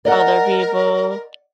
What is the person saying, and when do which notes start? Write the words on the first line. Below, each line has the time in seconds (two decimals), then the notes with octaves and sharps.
Other people.
0.05 A#4 D5 D#5 F#5